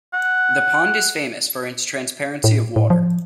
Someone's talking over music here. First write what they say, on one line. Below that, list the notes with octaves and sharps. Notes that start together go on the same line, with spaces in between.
The pond is famous for its transparency of water.
F#5
A2
A2
F3